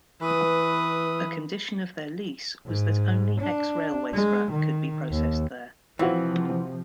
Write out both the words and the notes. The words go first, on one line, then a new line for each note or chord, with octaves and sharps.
A condition of their lease was that only ex-railway scrap could be processed there.
E3 B4 D#6
G#2
D4
G#3
D#3
D#2
C3 E3 F3 C4 F4 F#4